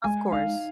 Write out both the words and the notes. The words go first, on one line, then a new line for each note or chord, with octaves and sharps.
Of course.
G#3 G#5
D#4 F5